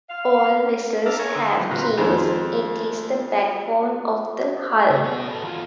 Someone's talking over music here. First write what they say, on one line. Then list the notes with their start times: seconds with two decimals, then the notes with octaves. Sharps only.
All vessels have keels, it is the backbone of the hull.
0.09 F5
1.06 D4 E5 F5 A5 A#5
1.19 C#5 G#5 A#5
1.35 D3 D#4 E5
1.57 D3 F3 G3
1.71 A#2 C4 F4 F#4 B4 A#5
1.98 F2 D#3 G#3 C5
4.89 C#3 A3
5.04 B3 F#4
5.29 A4 B4
5.43 E2 F4